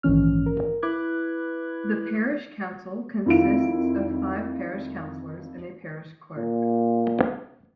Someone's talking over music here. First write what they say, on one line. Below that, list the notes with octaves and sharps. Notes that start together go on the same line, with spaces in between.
The parish council consists of five parish councillors and a parish clerk.
A#1 G#2 D#3 E3 C#4 F6
A#4
E4 B4 B5 D6 F#6 G#6
F2 D#3 E4 F4 D7
A#2